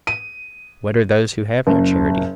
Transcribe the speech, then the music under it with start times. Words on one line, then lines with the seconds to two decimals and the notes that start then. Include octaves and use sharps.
What are those who have no charity?
0.07 D#7
1.67 F#1